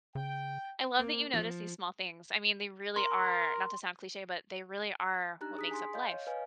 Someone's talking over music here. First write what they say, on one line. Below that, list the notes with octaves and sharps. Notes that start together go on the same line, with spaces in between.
I love that you notice these small things, I mean, they really are not to sound cliche, but they really are what makes up life.
C#3 G5
A#3
F3
A#4 C6
D4 D#4 G4 A#5 F#6
G#4 D#6 B6
G#5 C6
D#5 F5 G6
C#5
B4 D#5 F5 G#5